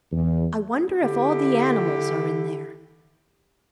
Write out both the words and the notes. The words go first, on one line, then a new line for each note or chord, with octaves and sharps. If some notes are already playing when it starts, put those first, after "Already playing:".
"I wonder if all the animals are in there."
E2
D3 E4 G4